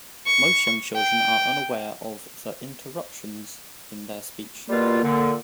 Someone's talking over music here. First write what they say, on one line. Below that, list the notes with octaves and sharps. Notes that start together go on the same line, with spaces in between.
Most young children are unaware of the interruptions in their speech.
C#6
G5
B2 G3 A#3 F4
A#2 D3